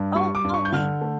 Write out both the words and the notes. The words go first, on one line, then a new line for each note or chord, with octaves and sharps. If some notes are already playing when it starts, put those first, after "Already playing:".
Oh, oh, wait.
Already playing: G2
G3 C#6
D6
G2
C#6
G6
D3 F6
A3